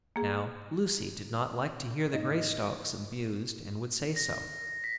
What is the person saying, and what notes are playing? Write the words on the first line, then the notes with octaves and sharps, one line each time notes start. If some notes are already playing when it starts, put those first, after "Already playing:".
Now Lucy did not like to hear the Greystocks abused, and would say so.
A#3 G#4
G#2 A#3 D#4 D#5
A#6
B6